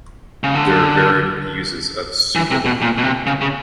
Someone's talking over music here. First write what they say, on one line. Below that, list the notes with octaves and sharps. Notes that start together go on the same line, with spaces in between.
There are varied uses of Superloy.
C#3
D3
E3
C3
B2
A#2
B2
C3
C#3
C#3